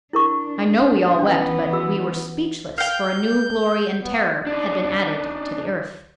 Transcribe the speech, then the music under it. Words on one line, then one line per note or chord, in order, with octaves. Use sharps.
I know we all wept; but we were speechless, for a new glory and terror had been added to the earth.
D4 E4 A#4 C#6
E3 B3 C#4 D4
F#4 E6
F5 G5 G6
B3
D4 D#4